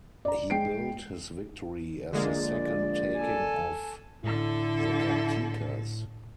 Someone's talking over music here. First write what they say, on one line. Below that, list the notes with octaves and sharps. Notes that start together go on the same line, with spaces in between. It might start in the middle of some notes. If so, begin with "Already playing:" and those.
He billed his victory as the second taking of Zacatecas.
D5 A#5
G#3 G5 C7 D7
A#1 D3 G#3 A#3 D5
A4 G#5
A2 D3 E4 A4